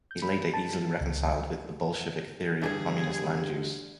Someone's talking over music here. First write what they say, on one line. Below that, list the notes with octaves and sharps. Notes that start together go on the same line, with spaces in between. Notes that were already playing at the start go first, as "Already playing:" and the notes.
He later easily reconciled with the Bolshevik theory of communist land use.
G6
B5
A5
C#2
G2 D3 G3 G#4